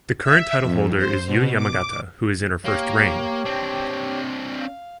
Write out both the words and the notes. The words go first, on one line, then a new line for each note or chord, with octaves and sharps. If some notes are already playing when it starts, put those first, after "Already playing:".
The current title holder is Yuu Yamagata who is in her first reign.
E5
F2
C5
B2
D6
A#3 G4 C#5
C4 D4
F5